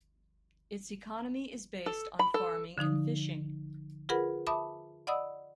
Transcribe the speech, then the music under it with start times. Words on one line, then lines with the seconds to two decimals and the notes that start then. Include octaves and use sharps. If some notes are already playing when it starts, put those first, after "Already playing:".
Its economy is based on farming and fishing.
1.86 A4
2.19 B5
2.34 A4
2.78 D3 F3 D#4 D#6
4.09 F4 G#4 A#4 B4 F#5 B5
4.47 E5 A5 B5 D6 D#6
5.07 D5 D#5 F#5 B5 D#6 E6